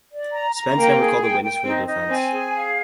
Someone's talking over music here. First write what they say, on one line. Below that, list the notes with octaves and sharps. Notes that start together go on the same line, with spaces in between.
Spence never called a witness for the defense.
D5
A#5
A#5
A#3 G5
G#4
G5
G5
C4 D#4
D#4
C4 G#5
G#4
F5